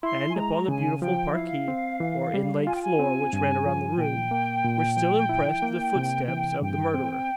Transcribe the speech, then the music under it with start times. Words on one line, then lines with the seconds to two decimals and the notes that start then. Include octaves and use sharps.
And upon the beautiful parquet, or inlaid floor which ran round the room, were still impressed the footsteps of the murderer.
0.03 E4 C6
0.29 G#5
0.36 G#3 A#5
0.68 C#3 G#5
1.02 F3 G5
1.35 E4 F5
1.68 C4
2.00 E3
2.34 G3
2.66 F4 G#5
2.75 G5
2.82 G#5
2.99 C4
3.33 G2
3.66 F3
3.98 A#2 G5
4.31 A#3
4.65 A#2
4.97 F3
5.29 E4
5.63 A#3
5.96 C3
6.28 E3
6.62 G2 G5
6.94 C4